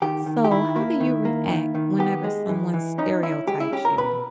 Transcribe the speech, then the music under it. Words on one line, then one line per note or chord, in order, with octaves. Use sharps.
So, how do you react whenever someone stereotypes you?
D#3 G4
D#3
G4
D#3 E4
A#3
D#3
A#3
D#3
D#3
B3 G4
G#3
E3
E3
C#4 D#4
C#4 E4
G#3 G4
E4
C#4 G4
A#4
B2 B4